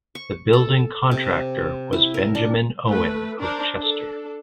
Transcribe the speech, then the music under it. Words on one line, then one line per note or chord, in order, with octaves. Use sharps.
The building contractor was Benjamin Owen of Chester.
C#6
A4
C3
E4
A#4
D4
A3 B4
D4 A#4 C5
D4 A4